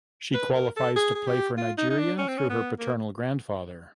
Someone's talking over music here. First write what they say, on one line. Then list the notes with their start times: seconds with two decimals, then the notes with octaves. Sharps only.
She qualifies to play for Nigeria through her paternal grandfather.
0.34 B4
0.55 A#4
0.76 A4
0.96 G#4
1.15 G#4
1.27 G4
1.57 F4
1.78 D#4
1.90 D#4
1.98 D4
2.18 C#4
2.28 C4
2.38 C#4
2.50 B3
2.79 A#3